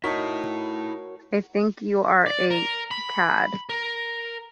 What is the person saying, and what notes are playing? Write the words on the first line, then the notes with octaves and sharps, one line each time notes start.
I think you are a cad.
D#4 E4 F#4 A#4 C#5 A5 B6
D5
A#4
B5
A#4